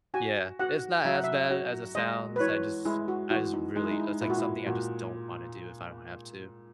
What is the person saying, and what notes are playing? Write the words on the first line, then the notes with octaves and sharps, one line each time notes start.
yeah, it's not as bad as it sounds, I just I just really it's like something I just don't wanna do if I don't have to.
F#4 G#5
F#4 F#5
F#3 E5
F#5
E5
F#4
G#3 D#5
B4
E3 C#5
G#3 E4
F#4
E3 F#4
D#4
G#3 D#4
E4
D#4
E4
D#4
A#2 E4
F#4
E4
A#2 F#4